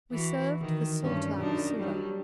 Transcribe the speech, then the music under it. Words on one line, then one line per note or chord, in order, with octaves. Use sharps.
We served the Sultan of Sula.
E3 F#4
D#3
G2 C#4
F#2 D4 D#4
F#3 G3